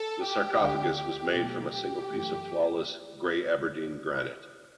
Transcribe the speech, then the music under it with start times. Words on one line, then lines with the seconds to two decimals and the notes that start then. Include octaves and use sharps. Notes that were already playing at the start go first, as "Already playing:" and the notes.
The sarcophagus was made from a single piece of flawless grey Aberdeen granite.
Already playing: A4
0.23 G4
0.60 D2 D3 A3 D4
0.97 G4
1.34 B2 F#3 A3
1.71 G4
2.08 F#2 E3 A3